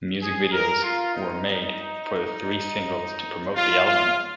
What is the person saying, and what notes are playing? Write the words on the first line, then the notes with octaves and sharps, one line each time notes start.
Music videos were made for the three singles to promote the album.
G#4
A#4
F4
D#4
F4
F4